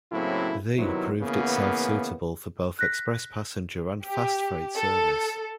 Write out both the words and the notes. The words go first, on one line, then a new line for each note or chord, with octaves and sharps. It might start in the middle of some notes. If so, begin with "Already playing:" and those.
The proved itself suitable for both express passenger and fast freight service.
A2 C#3 F#3 A#3 C4 E4
C3 D#3 F#3 B3 E4
C#3 E3 A#3 B3
F#6 A#6 B6
G4
A4